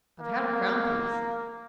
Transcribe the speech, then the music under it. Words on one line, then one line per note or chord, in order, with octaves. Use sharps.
I've had a crown-piece.
A#3